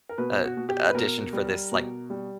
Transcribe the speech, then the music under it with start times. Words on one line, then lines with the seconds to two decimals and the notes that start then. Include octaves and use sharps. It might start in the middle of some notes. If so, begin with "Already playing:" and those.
a addition for this like
0.09 A#4
0.18 B2 B4
0.45 F#4
0.57 B2
0.69 G4
0.90 B4
0.95 B2 A#4
1.33 G3
1.72 B2
2.10 G3